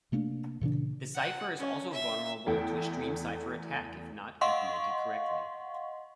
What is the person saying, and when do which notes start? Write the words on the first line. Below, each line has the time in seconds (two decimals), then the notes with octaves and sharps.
The cipher is also vulnerable to a stream cipher attack if not implemented correctly.
0.12 C3 A3 A#3 D4
0.61 A#2 C#3 E3 D4
1.14 F#5
1.58 C#4
1.92 E5
2.47 E2 A3 G5
4.41 D#5 F5 F#5 C6 C#6